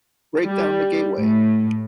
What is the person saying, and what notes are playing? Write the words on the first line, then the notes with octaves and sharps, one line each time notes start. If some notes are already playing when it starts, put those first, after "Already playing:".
Break down the gateway!
G3
A2